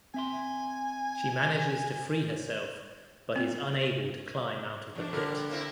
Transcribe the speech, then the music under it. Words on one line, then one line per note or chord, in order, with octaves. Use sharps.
She manages to free herself but is unable to climb out of the pit.
C4 E5 G#5 C6
C4
E2 D4
D3 G3 A#4
A#3 C4 E4